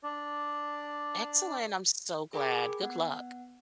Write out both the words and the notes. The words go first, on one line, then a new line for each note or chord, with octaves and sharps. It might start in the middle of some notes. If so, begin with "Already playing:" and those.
Excellent, I'm so glad. Good luck.
D4 D5
G#4 A#4 G5 G#5 B5 D6
B3 F#5